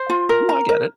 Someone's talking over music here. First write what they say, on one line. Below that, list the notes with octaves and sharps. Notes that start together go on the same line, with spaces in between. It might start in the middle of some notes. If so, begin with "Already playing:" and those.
No, I get it.
Already playing: C5
F4
A#4
A#5
A#4